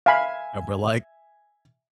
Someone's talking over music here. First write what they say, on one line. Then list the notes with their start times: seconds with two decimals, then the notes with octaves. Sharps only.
And we're like,
0.06 E5 F5 G#5 B5